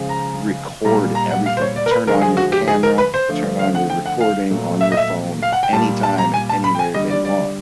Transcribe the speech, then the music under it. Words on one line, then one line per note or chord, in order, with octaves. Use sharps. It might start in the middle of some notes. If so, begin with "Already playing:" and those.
record everything, turn on your camera, turn on your recording on your phone anytime, and anywhere they want.
Already playing: C#3 F3 G#3
A#5
A#2 G3 A#5
A#5
F#5
F5
C5
C#5
D5
A#4
B4
D3 F3 G#3 A#4
G#4
F#4
G4
G#4
A#4
B4
C5
D3 F3 A3
F5
F#5
G5
F#5
F5
A#2 F#3 A3
E5
D#5
E5
F5
F#5
G5
A#2 G3 A5
A5
A#5
G#5
A5
B5
G5
G#5
D3 G3 D#5
D5
D5